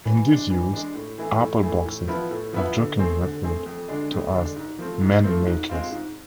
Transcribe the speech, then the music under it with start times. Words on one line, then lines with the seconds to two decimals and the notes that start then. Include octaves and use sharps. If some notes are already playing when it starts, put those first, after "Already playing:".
In this use Apple Boxes are jokingly referred to as "Man Makers".
0.05 E3
0.27 G#3 D4
0.50 E3
0.73 G#3 D4
0.95 A2
1.18 E3 A3 E4 G#4
1.41 A2
1.62 E3 A3 E4 G#4
1.85 A2
2.08 F3 B3 E4 B4
2.31 A2
2.53 F3 B3 E4 B4
2.76 D3
2.99 A3 C4 G#4
3.21 D3
3.43 A3 C4 G#4
3.66 F2
3.88 D3 G#3 D4
4.11 F2
4.33 D3 G#3 D4
4.56 G#2
4.79 F3 A3 C4
5.01 G#2
5.24 F3 A3 C4
5.46 G#2
5.69 G#3 C4 F4
5.91 G#2